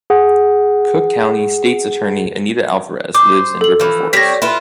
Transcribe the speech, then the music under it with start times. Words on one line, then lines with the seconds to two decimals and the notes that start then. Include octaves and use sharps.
Cook County state's attorney Anita Alvarez lives in River Forest.
0.10 G#4 F#5
3.15 C5 D6
3.61 A4 F#7
3.80 E3 F3
4.13 G3 C4 C#5 A#6 B6
4.42 E4 F4 B4